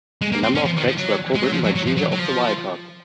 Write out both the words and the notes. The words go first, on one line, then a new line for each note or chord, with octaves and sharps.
A number of tracks were co-written by Ginger of The Wildhearts.
G#3
A#3
C4
C#4
F3
D#3
F3
F#3
G#3
F#3
F3
F#3
F#3
F3
F#3
F#3
F3